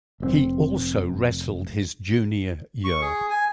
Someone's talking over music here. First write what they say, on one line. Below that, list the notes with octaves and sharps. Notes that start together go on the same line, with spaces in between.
He also wrestled his junior year.
F1 A#2 C4
C#6
G#4
G#5